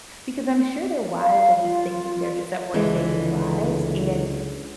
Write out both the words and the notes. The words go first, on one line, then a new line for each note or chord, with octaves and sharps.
because I'm sure their wives are just thinking they're just at work saving lives, and,
F5
F4
C#2 D3 E3 G#3